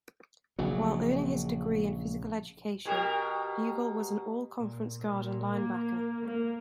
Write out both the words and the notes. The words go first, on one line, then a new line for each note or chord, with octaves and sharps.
While earning his degree in physical education, Bugel was an all-conference guard and linebacker.
A#1 C#3 F#3
B2 G4 A#4
A#2
A#2
A#3
A#3